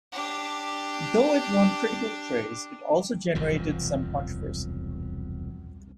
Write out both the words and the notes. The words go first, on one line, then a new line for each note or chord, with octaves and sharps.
Though it won critical praise, it also generated some controversy.
D4 G4
E1 C2 F#2 F3